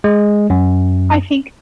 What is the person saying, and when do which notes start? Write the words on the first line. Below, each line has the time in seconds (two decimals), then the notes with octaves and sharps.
I think
0.04 G#3
0.50 F#2